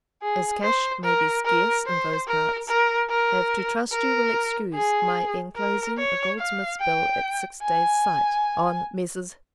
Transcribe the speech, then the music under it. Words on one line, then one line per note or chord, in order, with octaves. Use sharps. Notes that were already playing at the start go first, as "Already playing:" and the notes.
As cash may be scarce in those parts, have to trust you will excuse my enclosing a goldsmith's bill at six days' sight, on Messrs.
G#4
C5
A#4
A#4
C5
A#4
A#4
A#4
A#4
G#4
A#4
C#5
F5
G5
G#5